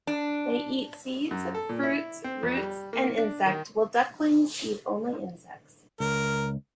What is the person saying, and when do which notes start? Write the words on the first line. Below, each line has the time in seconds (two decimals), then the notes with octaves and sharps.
They eat seeds, fruits, roots and insect, while ducklings eat only insects.
0.07 D4
1.31 F#2
1.54 A4
1.69 A#2
1.83 E4
2.24 C4
2.43 F2
2.57 G3
2.93 A#3
3.18 D4
3.46 D#3
6.00 C#2 A#4